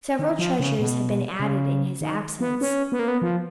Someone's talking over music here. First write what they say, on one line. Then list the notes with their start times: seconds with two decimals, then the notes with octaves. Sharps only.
Several treasures had been added in his absence.
0.19 D#3
0.39 F3
0.59 C#3
0.79 B2
1.40 C#3
2.01 D#3
2.41 B3
2.61 C#4
2.92 B3
2.99 A#3
3.08 B3
3.22 F3